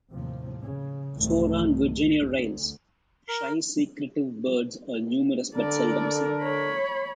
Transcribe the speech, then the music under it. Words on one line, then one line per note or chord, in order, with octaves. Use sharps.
Sora and Virginia rails - shy, secretive birds - are numerous but seldom seen.
D#2 A2 C3 F3
C#3
C2 F2 G#2 D#3 A3
D2
A#4
D3 A4 A#4 D5
C#5 B5